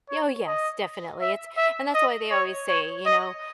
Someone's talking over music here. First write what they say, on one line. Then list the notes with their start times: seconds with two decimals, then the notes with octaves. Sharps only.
Oh, yes. Definitely. It's and that's why they always say, you know,
0.09 C#5
0.46 D#5
1.21 E5
1.57 E5
1.94 D#5
2.31 C#5
2.69 C#5
3.06 D#5